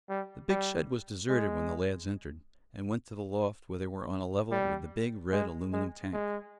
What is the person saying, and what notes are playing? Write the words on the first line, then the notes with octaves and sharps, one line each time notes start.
The big shed was deserted when the lads entered, and went to the loft where they were on a level with the big, red aluminum tank.
G3
G3
G#3
G3
G#3
G#3
G#3